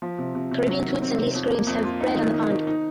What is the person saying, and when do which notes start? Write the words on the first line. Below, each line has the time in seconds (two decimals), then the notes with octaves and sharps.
Caribbean coots and least grebes have bred on the pond.
0.02 F3
0.18 C3
0.35 C3
0.51 C3
0.68 F#3
0.85 D#3
1.02 C4
1.18 C3
1.35 F2
1.51 A#3
1.67 F2
1.84 F4
2.01 D#4
2.17 D#3
2.34 D#3
2.50 D#3
2.67 D#4